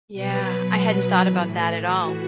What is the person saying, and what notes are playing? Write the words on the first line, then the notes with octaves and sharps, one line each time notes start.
Yeah, I hadn't thought about that at all,
B2 F#3 B4
A2 E3
F#4